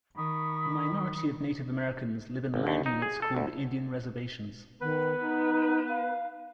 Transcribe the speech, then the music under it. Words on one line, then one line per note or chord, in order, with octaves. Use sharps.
A minority of Native Americans live in land units called Indian reservations.
D#3 B5 C#6 D#6
G#1
D#2
D#4
G#4
A4
D2
D#3 B3 B4
D#4
F5